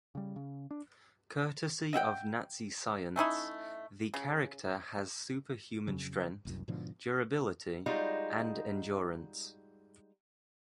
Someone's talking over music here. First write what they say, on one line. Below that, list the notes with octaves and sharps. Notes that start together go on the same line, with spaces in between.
Courtesy of Nazi science, the character has superhuman strength, durability, and endurance.
C#3 G3
C#3
D4
D#5 E5 F#5 G5
A3 C#4 D#4 E4
C#3
F2 C#3 F#3
F#1 C2 F#2
G#2 B2 D3 F3
G3 G#3 D#4 F4 F#4